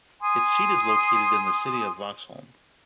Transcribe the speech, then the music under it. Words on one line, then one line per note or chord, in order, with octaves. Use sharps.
Its seat is located in the city of Vaxholm.
G#5 C6 D#6